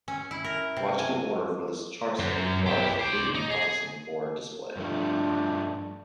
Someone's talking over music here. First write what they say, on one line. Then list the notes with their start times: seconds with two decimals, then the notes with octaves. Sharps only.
Logical order for this charset requires bidi processing for display.
0.08 C#4
0.31 E4
0.45 A#4
0.77 C3
0.99 G#5
2.19 F#2
2.66 E4 G4
3.00 C5 D5
3.35 D#4
3.51 G#4
4.77 G2 F3 A3 D4